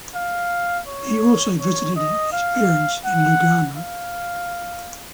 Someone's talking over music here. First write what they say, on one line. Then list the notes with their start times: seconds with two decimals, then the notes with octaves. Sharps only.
He also visited his parents in Lugano.
0.15 F5
0.87 C#5
1.60 C#5
1.96 D#5
2.33 F5
3.05 F#5
3.77 F5